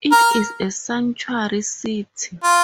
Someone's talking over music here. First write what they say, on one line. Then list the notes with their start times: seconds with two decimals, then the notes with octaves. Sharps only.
It is a sanctuary city.
0.12 A#4
2.44 F4